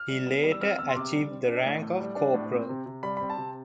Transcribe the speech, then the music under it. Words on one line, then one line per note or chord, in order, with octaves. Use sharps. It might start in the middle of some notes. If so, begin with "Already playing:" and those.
He later achieved the rank of corporal.
Already playing: F6
G3
B3
G3
E6
C4 F6
E2 E6
C6
C3 D6
G3
C4
D4
A2
A2
G3
D4
A2
C4
C3
C3
G3 B5
C4 B5
A5
C3